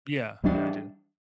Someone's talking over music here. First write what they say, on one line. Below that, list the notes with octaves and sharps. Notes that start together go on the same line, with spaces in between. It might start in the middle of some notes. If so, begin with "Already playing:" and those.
Yeah, yeah, I do.
E3 G3 D4